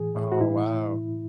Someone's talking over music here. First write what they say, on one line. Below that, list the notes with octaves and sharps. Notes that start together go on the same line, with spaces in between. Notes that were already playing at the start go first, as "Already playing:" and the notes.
Oh, wow.
Already playing: A2 E3 G#4
A2
F#4
A2 E4